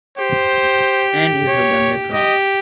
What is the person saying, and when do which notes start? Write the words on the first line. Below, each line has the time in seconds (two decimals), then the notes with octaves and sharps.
And you have done that wrong!
0.18 G4 C5
1.48 C#5
2.12 G4 D#5